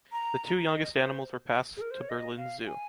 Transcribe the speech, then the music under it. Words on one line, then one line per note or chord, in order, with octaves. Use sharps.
The two youngest animals were passed to Berlin Zoo.
A#5
D#5
C5
G#4
A#4
C5
C#5
D#5
F5
G#5